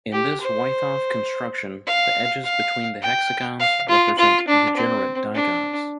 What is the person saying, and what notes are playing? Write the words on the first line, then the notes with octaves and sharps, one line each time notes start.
In this wythoff construction the edges between the hexagons represent degenerate digons.
G4
C5
F5
F5
G5
F5
F4
F4
D4
C4
D4